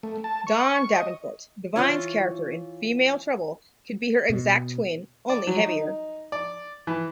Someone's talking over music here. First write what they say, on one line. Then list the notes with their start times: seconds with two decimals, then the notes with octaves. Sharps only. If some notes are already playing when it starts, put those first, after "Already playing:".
Dawn Davenport, Divine's character in "Female Trouble", could be her exact twin, only heavier.
0.03 A3
0.24 A5
0.47 C#6
0.94 D#5
1.76 E3 F4 C#5
4.30 B2
5.30 D5
5.47 F#3
5.66 D#4
6.32 D5
6.87 E3